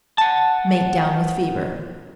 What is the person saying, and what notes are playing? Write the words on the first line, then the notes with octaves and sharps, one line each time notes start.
Mate down with fever.
F#5 A5